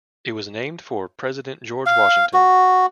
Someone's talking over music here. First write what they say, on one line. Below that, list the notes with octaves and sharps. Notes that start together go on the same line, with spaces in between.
It was named for President George Washington.
F5
F#4